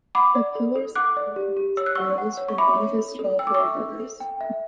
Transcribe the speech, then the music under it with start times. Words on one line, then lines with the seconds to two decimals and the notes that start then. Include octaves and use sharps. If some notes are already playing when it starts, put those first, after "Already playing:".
The pillars of Hercules arose from one of his twelve labours.
0.15 F#5 B5 D6
0.35 D5
0.55 A4
0.76 A4
0.95 F#5 D6 F#6
1.17 D5
1.36 G4
1.57 G4
1.77 C#5 E6
1.86 F#6
1.95 F#5 C#6 E6
2.18 F#5
2.37 C#5
2.48 C#6
2.58 E5 B5 D6
2.78 C#5
2.99 A4
3.19 A4
3.39 G5 E6
3.47 D6
3.54 E5 C#6 E6
3.80 A4
4.00 A4
4.20 G5
4.41 E5